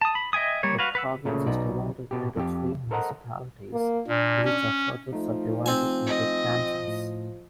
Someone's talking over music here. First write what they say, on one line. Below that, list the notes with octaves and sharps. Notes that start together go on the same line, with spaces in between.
The province is divided into three municipalities which are further subdivided into cantons.
A5 D#6
B5
D#5 E5 G5 G#5 D#6
G3 A#3 C#5
F#4 B4 F5
B4 F#5 E6
A#2 C#3 A3
B1 B2 D#4 D5
B2 G4
F2 G4
A4 A#4 C5 D#5 F#5 A#5
A#3
A#2 D4
C#4
F3 A3 D#4
C4 G#5
D#5
A2